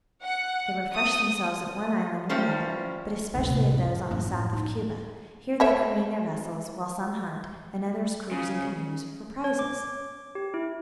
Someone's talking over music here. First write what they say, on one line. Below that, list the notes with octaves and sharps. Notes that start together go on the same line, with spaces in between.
They refresh themselves at one island or another, but especially at those on the south of Cuba; here they careen their vessels, while some hunt, and others cruise in canoes for prizes.
F#5
D#6
F3 G3 C#4 C5
D3 A3
A2 C3
F#2
F#2 A2
D#4
A3 C#5 E5
C#3
C#5
D6
G4
E4